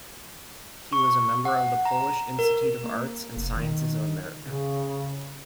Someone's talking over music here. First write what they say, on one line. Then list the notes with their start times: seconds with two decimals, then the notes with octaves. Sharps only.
He was a member of the Polish Institute of Arts and Sciences of America.
0.93 C#6
1.45 F#5
1.85 A#5
2.39 A#4
2.84 A#3
3.36 F1
3.57 D#3
4.41 C#3